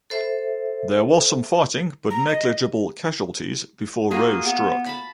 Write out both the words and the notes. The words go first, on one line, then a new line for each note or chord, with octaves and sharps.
There was some fighting but negligible casualties before "Roe" struck.
A4 C5 E5
A#5
D#5
A#3 F4 F#4 G#4
B3
A5 B5